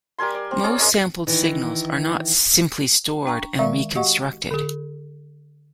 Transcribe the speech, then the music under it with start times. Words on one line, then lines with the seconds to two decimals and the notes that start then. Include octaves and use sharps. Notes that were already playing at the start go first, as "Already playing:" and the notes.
Most sampled signals are not simply stored and reconstructed.
0.18 G3 A#4 G#5 C6
0.35 D5
0.51 C4
0.63 C#4 G#4 D5
0.78 G#3 A#4 D#5 C#6
1.27 D#3 E3
3.26 D4 G5 A#5 C#6
3.59 D#3 G#3 D5 E5 F5 C#6
3.95 F#4 G4 D#5 F5 F#5 C#6
4.51 D3 G#4